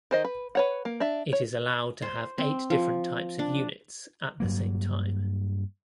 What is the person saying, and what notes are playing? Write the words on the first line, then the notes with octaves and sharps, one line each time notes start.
It is allowed to have eight different types of units at the same time.
D#3 C5 D#5
B4
B4 C#5 F#5
A#3
D4 E5
C#5
C5
C4
F3
D4
G2 F#3 A#3